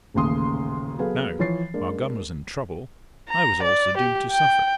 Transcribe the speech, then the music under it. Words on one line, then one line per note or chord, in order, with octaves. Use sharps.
Now, while Gun was in trouble I was also doomed to suffer.
D#1 A1 D#2 C#3 C6 D#6
F#3 B3 G#4 A4 B4 F5
E3 F3 C#5 A6 C7
G#3 A#3 D4
A#5
D5
G4
G5